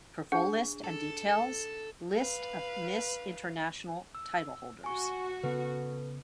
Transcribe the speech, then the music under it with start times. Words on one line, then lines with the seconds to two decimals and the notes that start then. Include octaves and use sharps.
For full list and details List of Miss International titleholders.
0.32 D4 G#4 F#5
0.84 A4
2.14 B4 F5
4.15 E6
4.84 F#4 G#5 C#6
5.44 C#3 B3 A4 B4